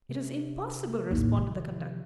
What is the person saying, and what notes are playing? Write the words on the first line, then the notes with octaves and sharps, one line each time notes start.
"It is impossible," responded the conductor.
C3
A#1 D#2 A2
C3 D#3 F3